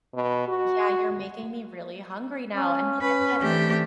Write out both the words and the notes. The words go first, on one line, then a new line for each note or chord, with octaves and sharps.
Yeah, you're making me really hungry now, and look at this.
B2
F#4
C#4
C#4 B4
E3 A3 C4 D4 G4